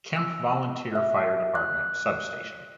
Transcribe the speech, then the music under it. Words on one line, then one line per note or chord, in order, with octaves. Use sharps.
Camp Volunteer Fire Department Substation.
E6
E5
F#6